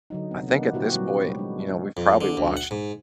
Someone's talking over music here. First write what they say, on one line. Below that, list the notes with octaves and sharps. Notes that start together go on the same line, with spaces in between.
I think at this point, you know, we've probably watched
D3 F#3 D#4
C3 B3
A#3 B3 D4 D#4
A#2 C4 E4 F#4 G4 B4
F#3 G3
G#3 D4
F2
D3
D2
F#5
G#2